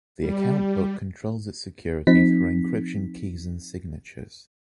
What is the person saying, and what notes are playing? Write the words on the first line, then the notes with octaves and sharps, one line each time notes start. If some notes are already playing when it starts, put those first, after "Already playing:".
The account book controls its security through encryption keys and signatures.
G3
F3 C4 D#4 B6